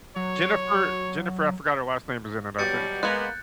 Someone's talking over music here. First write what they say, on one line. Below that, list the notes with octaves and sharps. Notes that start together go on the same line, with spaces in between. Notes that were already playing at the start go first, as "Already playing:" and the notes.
Jennifer Jennifer I forgot her last name is in it, I think.
F#3 C#5
B2 F#3 G3 G6 A6 C#7
G#3 A#3 B3 G#5 A#5 F#6